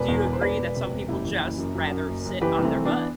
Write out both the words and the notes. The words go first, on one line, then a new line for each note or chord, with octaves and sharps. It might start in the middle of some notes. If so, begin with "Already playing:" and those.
Do you agree that some people just rather sit on their butt?
Already playing: E1 B4 D5
E2
E2
C5
E1 B4 D5
E1
C3
E1
F#1 E4 G4
E3
F#1
F#2
F#2
F#2
F#1
F#1
E3 G4 B4
C2
A3 C4
E3
B3 D4